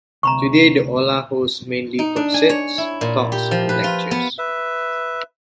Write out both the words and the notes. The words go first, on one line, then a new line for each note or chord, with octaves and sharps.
Today, the Aula hosts mainly concerts, talks and lectures.
D2 C3 A#5 B5 C#6
D#4
D4
G#5
C#5
E4
A#2
G4
F3
B4
F4
B3
B4 E5